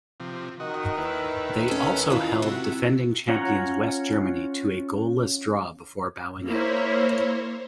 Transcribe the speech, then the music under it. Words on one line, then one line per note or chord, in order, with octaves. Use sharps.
They also held defending champions West Germany to a goalless draw before bowing out.
C3 F3
D#3 F#4 D#5
D#2 E4 B4
C#4 A4
E3 F4
C3 E4 F#4
C#4 F4 C#5 F#5 A#5
A#3 E4 C5 C#5